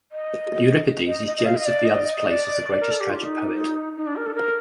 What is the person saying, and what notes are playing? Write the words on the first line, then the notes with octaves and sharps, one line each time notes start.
Euripides is jealous of the other's place as the greatest tragic poet.
D#5
D#5
D#5
D#5
F5
D#5
D5
D#5
D#5
D#5
D5
A#4
A4
G4
F4
D#4
D#4
D4
A#4
A4
A#4